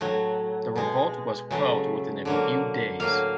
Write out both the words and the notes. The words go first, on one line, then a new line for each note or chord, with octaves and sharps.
The revolt was quelled within a few days.
A2 F#3 A3
B2 G#3
C#3 F#3 A3
D3 F#3 A#3
A2 F#3 A#3 F5